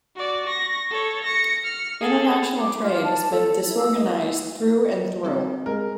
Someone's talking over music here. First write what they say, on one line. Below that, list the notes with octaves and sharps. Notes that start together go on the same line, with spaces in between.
International trade has been disorganized through and through.
F#4 D5
C#6 A#6
A4 C#5
A#6 C#7
F6 C#7
G#4 A4
D6
F4
A5
A4
E4
E6
D#5
G3 C4 F#4
G#3 A#4